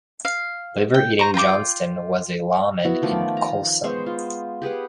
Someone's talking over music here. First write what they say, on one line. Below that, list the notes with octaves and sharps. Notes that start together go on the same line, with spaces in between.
Liver-Eating Johnston was a lawman in Coulson.
F5
G5
C5 A#5 C#6
F4 G5 A#5 D6
B3 E4 F#4
D#3 F3 A3 D5
A#5
G#3 B3 C5 C#6
F4
G4 G#4 B4 F#5